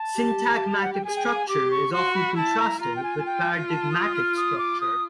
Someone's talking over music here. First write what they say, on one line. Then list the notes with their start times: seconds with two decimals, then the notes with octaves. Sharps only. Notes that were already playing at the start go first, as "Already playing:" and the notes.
Syntagmatic structure is often contrasted with paradigmatic structure.
Already playing: A5
0.15 G4
0.82 F#5
0.93 G5
1.05 G#4 G#5
1.16 G5
1.27 G#5
1.49 G4 D6
1.71 C#6
1.93 F#4 C6
2.15 B5
2.36 E4 A5
2.59 A#5
2.81 F4 A#5
2.96 G5
3.03 G#5
3.19 G#5
3.26 G5
3.70 A5
3.92 D#6
4.14 F6
4.37 D#6
4.58 D6
4.81 D#6